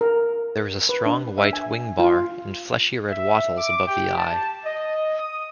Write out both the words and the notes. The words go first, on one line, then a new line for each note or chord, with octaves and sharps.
There is a strong white wingbar, and fleshy red wattles above the eye.
A#4
B4
D4
E5
G#5
F4
E5
D6
G4
A5
D#5
D#6